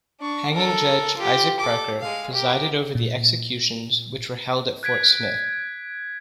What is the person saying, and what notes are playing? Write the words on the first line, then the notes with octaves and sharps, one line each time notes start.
"Hanging judge" Isaac Parker presided over the executions, which were held at Fort Smith.
D4 C#6
A4 A#4
F4 G4
A4 D6
G#3 F5
G4 A#4
A#2
F#6 G#6 B6 D7